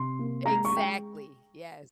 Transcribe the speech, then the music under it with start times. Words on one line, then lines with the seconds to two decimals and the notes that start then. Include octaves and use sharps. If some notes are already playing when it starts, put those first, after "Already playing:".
Exactly, yes.
Already playing: C3 C6
0.19 A#3
0.45 G#3 A#5
0.65 C#6
0.72 G#3 G5